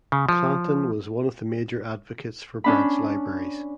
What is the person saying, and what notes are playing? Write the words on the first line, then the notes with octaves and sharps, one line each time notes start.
Clanton was one of the major advocates for branch libraries.
C#3
F3
C#4 D4 B5